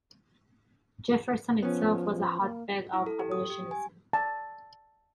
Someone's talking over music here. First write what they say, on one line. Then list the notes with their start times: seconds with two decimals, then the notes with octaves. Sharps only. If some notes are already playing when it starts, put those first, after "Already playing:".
Jefferson itself was a hotbed of abolitionism.
1.63 F3 B3 C#4
2.41 A#3
2.93 E4
3.06 A4
3.20 G4
3.32 D#6
3.50 G4
3.71 G#5
4.13 A5